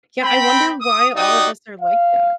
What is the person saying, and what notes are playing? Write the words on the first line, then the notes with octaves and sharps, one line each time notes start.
Yeah, I wonder why all of us are like that.
C4 G5 B5
D#6
D#4 F#4 G4 D5 G5 D#6
F5